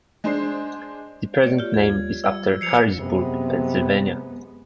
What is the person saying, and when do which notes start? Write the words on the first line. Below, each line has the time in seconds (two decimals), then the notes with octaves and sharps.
The present name is after Harrisburg, Pennsylvania.
0.24 G#3 D4 C5 C7
1.44 A3 C#5 D5
1.59 F4 G4
1.74 D#2 G#6
2.24 G3 E6
2.61 F3 C7 C#7 F7
2.98 F#2 C3 G#3 B3